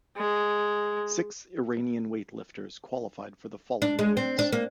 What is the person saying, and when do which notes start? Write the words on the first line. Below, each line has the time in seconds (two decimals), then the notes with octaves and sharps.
Six Iranian weightlifters qualified for the following events.
0.17 G#3
3.82 D4
3.99 G#3
4.17 C4
4.39 D4
4.52 A#3